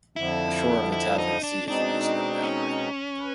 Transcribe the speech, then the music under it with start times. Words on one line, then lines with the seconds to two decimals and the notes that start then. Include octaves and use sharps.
The shore of the Tasman Sea is the eastern boundary.
0.16 F2 D3 F3 E4
0.92 E4
1.18 D#4
1.43 D4
1.68 B2 G#3 C4 D4 D#4
2.43 C#4
3.19 B4